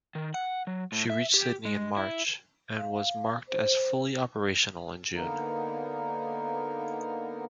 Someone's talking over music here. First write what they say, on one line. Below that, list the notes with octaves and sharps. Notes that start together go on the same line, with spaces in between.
She reached Sydney in March, and was marked as fully operational in June.
D#3
F#5
F#3
A2
E5
G4
G#3
E4
F5
C5
D3 A#3 B3 D#4 A#4